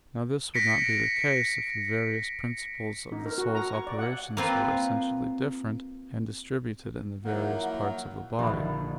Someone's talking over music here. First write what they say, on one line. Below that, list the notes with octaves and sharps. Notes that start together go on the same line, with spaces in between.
Now this would not be the case if the various principles of the soul's operations were essentially different, and distributed in the various parts of the body.
A#6 B6 C#7 D7
D#4
A#4
F#4
A#5
C#6
D5
F#5
A#3 C4 F4 B4
D#3 F3 F#3 A#3 E4 F#5
A#1 D3 D#3 G4 E5 B5